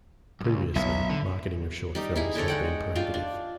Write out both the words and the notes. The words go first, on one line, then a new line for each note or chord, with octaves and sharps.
Previously, marketing of short films had been prohibitive.
C#2 F#2
B1 D#5 E5
D3
G3 D#4 G4
D#4 E4 G#4
D3 D#4 A4 C#5
G#3 F#5 G5
D4 F4 F5 G5
D4